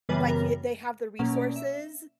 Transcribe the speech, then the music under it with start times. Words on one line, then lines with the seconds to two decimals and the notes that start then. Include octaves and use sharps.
like you they have the resources
0.09 F#2 C#3 E3 G3 B3 B4
0.27 A#4
1.19 B2 F#3 A#3 C#4
1.37 D5
1.56 E5